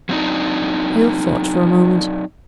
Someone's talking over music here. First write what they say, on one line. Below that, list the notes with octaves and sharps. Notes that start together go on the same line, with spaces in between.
Hale thought for a moment.
F#3 C4 D4 D#4